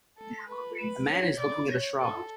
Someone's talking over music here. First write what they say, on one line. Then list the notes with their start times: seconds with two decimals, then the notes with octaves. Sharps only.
A man is looking at a shrub.
0.18 A4
0.48 B4
0.78 B4
1.09 C#5
1.39 D5
1.70 C#5
2.00 A4